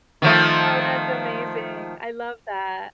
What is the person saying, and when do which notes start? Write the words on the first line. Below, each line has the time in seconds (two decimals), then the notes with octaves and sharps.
Oh, that's amazing, I love that.
0.22 D#3 F3 A3